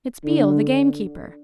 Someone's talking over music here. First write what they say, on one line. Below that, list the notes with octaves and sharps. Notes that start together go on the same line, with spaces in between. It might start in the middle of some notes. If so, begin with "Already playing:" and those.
It's Beale the gamekeeper.
D3